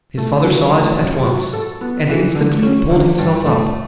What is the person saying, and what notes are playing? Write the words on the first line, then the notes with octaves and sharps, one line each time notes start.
His father saw it at once, and instantly pulled himself up.
A3
F#3
A3
F#2
F#4
A4
B3
E3
D3
C#4
D3
G2
A3